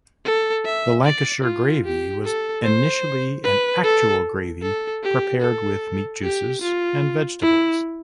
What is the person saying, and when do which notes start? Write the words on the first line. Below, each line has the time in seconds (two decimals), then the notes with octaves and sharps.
The "Lancashire Gravy" was initially an actual gravy prepared with meat juices and vegetables.
0.25 A4
0.65 E5
1.04 D5
1.44 F4
1.85 G4
2.24 A4
2.64 C5
3.44 B4
3.84 A4
4.62 A4
5.03 G4
5.42 A4
6.22 G4
6.61 F4
7.42 E4